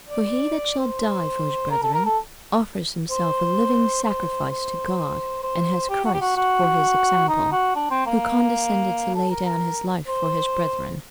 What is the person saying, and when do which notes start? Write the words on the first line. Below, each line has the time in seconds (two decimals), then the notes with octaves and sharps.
For he that shall die for his brethren, offers himself a living sacrifice to God, and has Christ for his example, who condescended to lay down his life for his brethren.
0.09 D5
0.79 C5
1.71 A#4
1.83 A4
1.94 A#4
2.06 A4
3.10 C5
4.04 C5
4.51 C5
5.43 C5
5.90 G4
6.05 F#4
6.14 G4
6.21 F#4
6.36 F#4
7.29 D#4
7.52 F#4
7.76 D4
7.91 C4
8.06 A#3
9.15 A4
9.30 A#4
9.46 A#4
10.08 C5